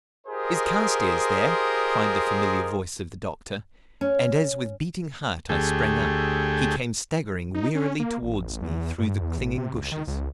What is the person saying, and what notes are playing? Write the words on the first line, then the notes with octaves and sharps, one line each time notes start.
"Is Carstairs there?" cried the familiar voice of the doctor, and as with beating heart I sprang up, he came staggering wearily towards me through the clinging bushes.
F4 G4 G#4 A#4 C5 D#5
C#4
D2 A3 G4 G#4
D#4
C#4
A#3
A1
E2
G2
E2
A1
C3
C#2
D#3
C#2